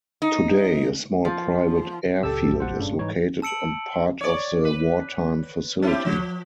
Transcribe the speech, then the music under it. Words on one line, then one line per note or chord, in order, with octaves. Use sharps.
Today, a small private airfield is located on part of the wartime facility.
D#4
F3
C#2 A#2 G4 A4 A5 E6
B1 G2 A#2 F3
F#1 A#2 C5 F#5
G2 C#3 D4
G#2 E3 G3 D#4 C#5
A5 E6 C#7 D7 F#7
C#5 D5
B4
C4 E4 G4
F3